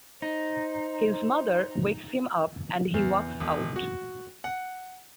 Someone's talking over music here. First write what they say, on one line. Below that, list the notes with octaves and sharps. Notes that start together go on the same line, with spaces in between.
His mother wakes him up and he walks out.
D#4 C5
E2
E1
F#4
F#5